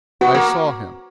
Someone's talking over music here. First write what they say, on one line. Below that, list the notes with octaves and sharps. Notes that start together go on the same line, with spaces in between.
I saw him.
B3 F#4
A#3